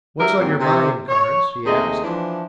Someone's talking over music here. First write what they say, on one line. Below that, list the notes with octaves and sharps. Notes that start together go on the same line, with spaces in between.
"What's on your mind, Carnes?" he asked.
F#3 G3 D4 E4 A#4
G2 A#2 F#3 C4
C3
C#5
D#2 C3 G#3 A3 G#4 D#5
E3 F3 D4